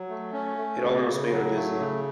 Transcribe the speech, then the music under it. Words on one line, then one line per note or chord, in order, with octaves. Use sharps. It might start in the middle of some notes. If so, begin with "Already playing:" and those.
It almost made her dizzy.
Already playing: F#3
A3
C#4
A3
C#3
C#3
F#3
A3
C#3